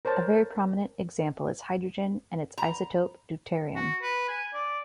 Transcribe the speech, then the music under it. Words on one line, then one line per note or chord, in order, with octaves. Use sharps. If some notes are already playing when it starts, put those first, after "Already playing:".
A very prominent example is hydrogen and its isotope deuterium.
A#4 C5 C#5 A5
A#5
F#4
B4
G#5
D5